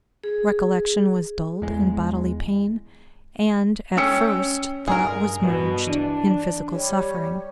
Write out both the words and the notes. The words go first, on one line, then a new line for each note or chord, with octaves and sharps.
Recollection was dulled in bodily pain, and, at first, thought was merged in physical suffering.
G#4
E2 G#3
C#4 G5 E6 C#7
G2 G#4 A#4
G2 B2
E3 D4
G3 C#5